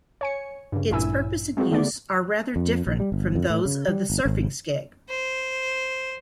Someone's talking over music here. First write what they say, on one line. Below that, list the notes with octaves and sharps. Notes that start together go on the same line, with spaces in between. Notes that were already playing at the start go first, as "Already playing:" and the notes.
Its purpose and use are rather different from those of the surfing skeg.
C#5 G#5 C#7
G2 C#3
A1 G2 A#2 E4 G#5 E6
G#3 C4 F4 F#4 G#4
D3 A3 B3 G#4 D5
F2
A#1
G3
G1
F2
A2
C#3
G3
G1
G#1
C5